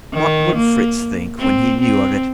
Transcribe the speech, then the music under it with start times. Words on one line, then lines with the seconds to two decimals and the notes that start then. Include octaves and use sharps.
What would Fritz think, when he knew of it?
0.13 D#3
0.56 A#3
1.39 C4
1.81 C4